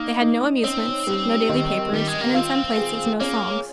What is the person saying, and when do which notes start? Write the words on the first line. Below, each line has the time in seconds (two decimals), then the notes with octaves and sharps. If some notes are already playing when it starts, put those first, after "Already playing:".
They had no amusements, no daily papers, and in some places no songs.
Already playing: A#3 D#4
0.21 D#4
0.64 C4 C#4
1.07 G3
1.49 D#3
1.93 D#3 G3
2.07 G#3
2.21 A#3
2.34 C4 F4
2.78 G#4
3.20 A#3 C#4